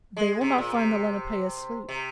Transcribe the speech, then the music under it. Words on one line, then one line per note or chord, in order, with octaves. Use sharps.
"They will not find the Lenape asleep."
G#3
C3
A#2
C3
C3